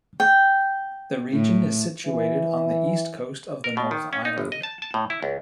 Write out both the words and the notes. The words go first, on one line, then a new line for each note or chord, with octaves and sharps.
The region is situated on the east coast of the North Island.
G5
A2
E3
A#4
B2
D#3
C#4
D#4
G1
D#5
A5
A5
A2
E4
C#2